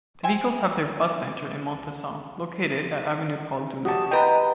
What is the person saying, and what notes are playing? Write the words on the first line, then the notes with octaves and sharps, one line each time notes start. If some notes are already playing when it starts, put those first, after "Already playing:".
The vehicles have their bus center in Montesson, located at Avenue Paul-Doumer.
C5 E5 G5 G#5
F#4 G4 A5 D#6
B4 D#5 G5 A#5